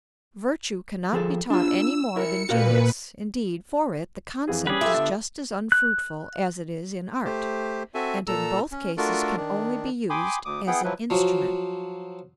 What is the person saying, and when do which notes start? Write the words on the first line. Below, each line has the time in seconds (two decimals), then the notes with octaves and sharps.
Virtue cannot be taught any more than genius; indeed, for it the concept is just as unfruitful as it is in art, and in both cases can only be used as an instrument.
1.13 F3 G#4 A4
1.50 D4 F4 E6
2.16 E4 A#4 C#7
2.49 A#2 F#4 A#4 B4 F5
4.48 F2 E3 G#4
4.67 G3 C#4 G4 G#4 B4
4.81 F4 G4 A4 E5
4.94 D3 B3 D4
5.72 F#6
7.25 A3 G4 C5
7.94 C4 F#4 A4 E5 G#5
8.27 A#2 A4 A#5 E6
8.72 C#4
8.97 A3 D4 F4 F#4 A4 A#4
9.37 D#3 D4
10.10 G5 G#5 B5 C6 D6 D#6
10.45 D2 D6 D#6
10.67 B3 E4 G#4 F#5 G5
10.84 F3 F#3 E4 B4
11.10 F3 F#3